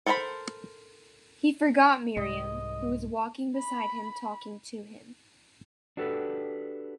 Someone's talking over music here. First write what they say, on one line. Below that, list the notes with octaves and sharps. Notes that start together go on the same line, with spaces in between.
He forgot Miriam, who was walking beside him talking to him.
A4 A#4 C5 G5 B5
C2 G#2 G#3 D#5
B5
D4 F#4 G4 A4 B4